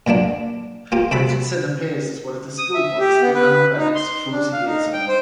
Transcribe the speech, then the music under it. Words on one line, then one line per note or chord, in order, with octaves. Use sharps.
Richardson appeared as one of the schoolboys in Alan Bennett's Forty Years On.
A#2 F#3 A#3 D4
A#3 F4 G4
C3 C4 A4 B5
D#6
E5
G4
B3
B4
D#4
C6
D4
F5
D#4
G5
C5